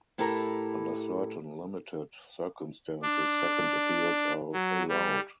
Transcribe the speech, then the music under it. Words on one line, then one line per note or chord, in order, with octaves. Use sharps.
Under certain, limited, circumstances, second appeals are allowed.
A2 E4 G4 A4 A#4 A#5
D4
F#3
G3